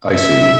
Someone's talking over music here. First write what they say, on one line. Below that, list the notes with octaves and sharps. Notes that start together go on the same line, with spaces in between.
I see.
E5